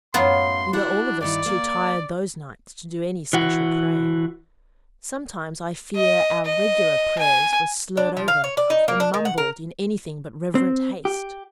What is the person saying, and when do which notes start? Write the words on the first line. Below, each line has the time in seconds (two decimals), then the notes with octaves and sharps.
We were all of us too tired those nights to do any special praying. Sometimes I fear our "regular" prayers were slurred over, or mumbled in anything but reverent haste.
0.14 F#2 A2 F#3 B3 F4 C6
0.73 D4 E4 F#4 F#5
1.21 G2 D#3 E4 D5
1.46 A#3 A#4
3.33 E3 F#4
5.96 D#5
6.45 D#5
7.18 G#5
7.97 D4
8.17 F3
8.28 F5
8.44 C#5
8.57 D5
8.70 D#4
8.88 A#3
9.00 D4
9.14 D#3
9.25 F#5
9.38 A#4
10.55 C4
11.05 G4